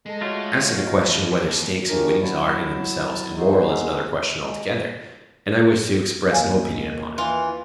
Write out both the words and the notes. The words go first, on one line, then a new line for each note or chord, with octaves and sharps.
As to the question whether stakes and winnings are, in themselves, immoral is another question altogether, and I wish to express no opinion upon it.
G#3 A4 D#5
A3 F4 F#4 C#5 D#5
E3
D#2
D#3 F3 A3 C#4 D4 A#4
F#3 E4 A5
D#4 F#4 G#4 C5 E5
G#3
D#2 F5 G#5
E3 F4